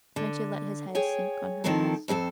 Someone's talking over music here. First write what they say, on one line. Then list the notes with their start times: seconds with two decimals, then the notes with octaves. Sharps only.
Mitya let his head sink on her breast.
0.16 D3
0.95 G#4 C#5 G5
1.64 D#3 F3 C4 E4 A4 A#4
2.08 F2 C4 G#4 A4